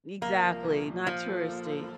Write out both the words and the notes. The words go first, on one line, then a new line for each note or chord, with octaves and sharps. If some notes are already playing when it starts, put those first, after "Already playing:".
Exactly, not touristy.
C2 A#3
F3
C2
A#2
F3 F4
A4
A#3
A4